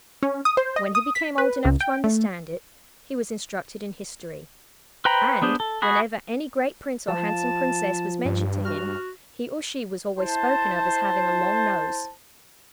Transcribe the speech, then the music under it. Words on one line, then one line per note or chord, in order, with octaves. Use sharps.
When he became old enough to understand it, he was instructed in history; and, whenever any great prince or handsome princess was mentioned to him, he or she was always spoken of as having a long nose.
C#4
D#6
C5
D#5
D#6
B6
B4
C#2
G5
A3
B4 C5 G5 A#5 B5
B3 D4 G#4 C5
A4
F#4 G#4 B5
F3 A5
G2
F#4 F6
E4 C5 A5